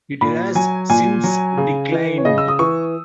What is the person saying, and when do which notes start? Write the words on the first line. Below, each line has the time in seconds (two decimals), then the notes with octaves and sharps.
It has since declined.
0.21 A#2 B5
0.55 F#3 G#5
0.90 A#2 G#5
1.24 F#3
1.57 C#3
1.92 E3
2.18 C#5
2.25 C#3 D#5
2.38 E6
2.48 D#6
2.59 E3 C#6